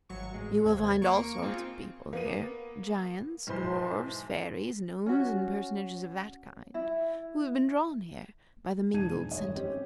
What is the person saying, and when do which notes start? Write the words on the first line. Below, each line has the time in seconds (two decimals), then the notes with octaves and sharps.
You will find all sorts of people here: giants, dwarfs, fairies, gnomes, and personages of that kind, who have been drawn here by the mingled sentiments of the people.
0.09 G#1 F#3 C#6
0.34 A1 G#3
0.64 D#2 C3 G#6
1.01 A#3 C#6 D7
1.42 A#3 C4 D#4 F4 G#4
2.13 A#3 B3 D#7
3.47 B1 G#2 E3 C5 C6
5.06 C#4 F#4
6.74 E4
8.93 E1 G#2 D4 G#5 G#6 D#7
9.31 G1 D#3 G#3 C#5 D#5
9.55 C4 C#4 G4